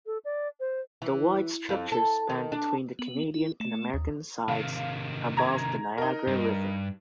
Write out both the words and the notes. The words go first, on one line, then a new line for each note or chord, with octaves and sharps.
The wide structure spanned between the Canadian and American sides, above the Niagara River.
A4
D5
C5
E3
F2
A4
D#3
D4
B3
E4
A3
D#2
C3 D#3 F5
A#5 G#6
D#4 A#4
G2